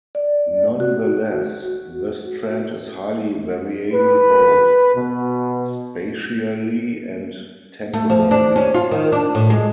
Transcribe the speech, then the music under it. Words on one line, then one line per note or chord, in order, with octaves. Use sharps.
Nonetheless, this trend is highly variable both spatially and temporally.
D5
F#4
B4
B2
A3
F3
D4
C#4
F4
D#3
D4
A2
G#3